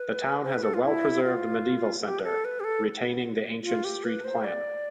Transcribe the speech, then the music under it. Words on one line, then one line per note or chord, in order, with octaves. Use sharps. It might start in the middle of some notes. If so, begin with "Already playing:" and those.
The town has a well-preserved medieval centre, retaining the ancient street plan.
Already playing: B4
C5
B4
A4
F4
E4
F4
G4
B4
A4
B4
G4
A4
F4
G4
B4
C5
D5